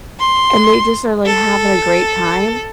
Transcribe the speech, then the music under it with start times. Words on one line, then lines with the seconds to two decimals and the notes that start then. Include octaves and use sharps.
and they just are like having a great time.
0.20 C6
1.26 A4